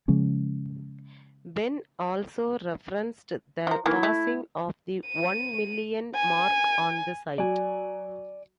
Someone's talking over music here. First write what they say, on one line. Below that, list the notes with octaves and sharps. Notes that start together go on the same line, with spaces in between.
Benn also referenced the passing of the one million mark on the site.
C#3 F3 G#3 C#4
F3 A#4
D#3 E3 A#3 E4
A3
D#7
G#5
F#3 D5 G#5